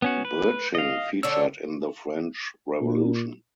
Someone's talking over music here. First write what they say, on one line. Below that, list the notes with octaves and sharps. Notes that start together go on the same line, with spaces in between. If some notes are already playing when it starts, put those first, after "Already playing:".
Birching featured in the French Revolution.
B3 C#4 F#4
B4
D#5 F5
D3 C#4 E6
A#2